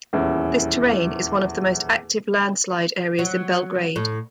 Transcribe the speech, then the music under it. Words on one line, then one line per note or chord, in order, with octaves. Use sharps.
This terrain is one of the most active landslide areas in Belgrade.
D#1 E2 C#4 E4
F#3
A2